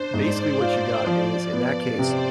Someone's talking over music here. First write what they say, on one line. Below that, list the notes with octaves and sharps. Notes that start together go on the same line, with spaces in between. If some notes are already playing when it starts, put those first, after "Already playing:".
basically what you got is, in that case,
Already playing: D4 C5
G#2 D5
F4
F3
B3
C3 C5